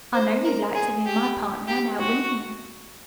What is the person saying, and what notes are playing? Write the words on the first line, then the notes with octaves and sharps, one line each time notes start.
I know you'd like to be my partner, now wouldn't you?
C5
A#4
G#4
G4
G4
F#4